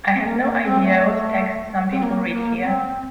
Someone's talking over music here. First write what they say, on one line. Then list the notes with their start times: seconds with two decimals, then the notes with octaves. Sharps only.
I have no idea, what text some people read here.
0.14 C4
0.23 A#3
0.43 A#3
0.64 C4
0.83 A3
1.91 C4
2.03 A#3
2.33 A#3
2.63 C4